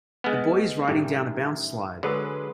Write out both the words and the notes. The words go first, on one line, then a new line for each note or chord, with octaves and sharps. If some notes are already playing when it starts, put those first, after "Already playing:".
A boy is riding down a bounce slide.
G#3 B3 F#5 F6 A6
F#2 A2 D#3 G3
D3 F#3 G#3 B4 D#6